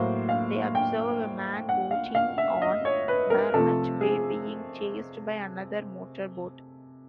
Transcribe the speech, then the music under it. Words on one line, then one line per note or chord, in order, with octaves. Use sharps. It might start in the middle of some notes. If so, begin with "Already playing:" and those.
They observe a man boating on Barmet Bay being chased by another motorboat.
Already playing: A2 F#3 A#3 C5
F5
G5
F#5
F5
F5
E5
D#5
C#5
B4
A#4
C3 F3 A3 A4
G#4